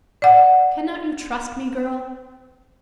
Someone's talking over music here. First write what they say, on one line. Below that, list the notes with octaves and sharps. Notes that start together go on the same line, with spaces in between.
Cannot you trust me, girl?
D5 F#5